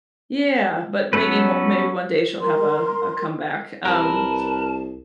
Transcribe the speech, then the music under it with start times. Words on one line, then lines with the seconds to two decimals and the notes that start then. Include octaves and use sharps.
yeah, but maybe w maybe one day she'll have a a comeback, um
1.13 F#3 B3 C#4 A4 B4
2.41 A#4 C6
3.85 C2 A#4 B4 A5